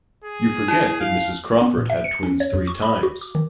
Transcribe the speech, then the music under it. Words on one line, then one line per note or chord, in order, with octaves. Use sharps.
You forget that Mrs. Crawford had twins three times.
G#4
E4
F5
B3
A#2
E5
C#7
C#4
C#5
F2
C#6
B5
F#4
D6
D#3